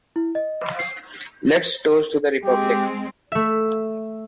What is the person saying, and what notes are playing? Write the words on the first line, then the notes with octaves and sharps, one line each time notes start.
Let’s toast to the Republic!
E4
D#5
C7
G#3 C4 G4
A3 E5